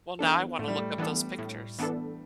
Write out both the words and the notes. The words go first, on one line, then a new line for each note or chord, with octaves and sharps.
Well, now I wanna look up those pictures.
E3 B3 D4 A4
A2 A3
G3
A3
E3 B3 D4 A4
A2
E3 B3 D4 A4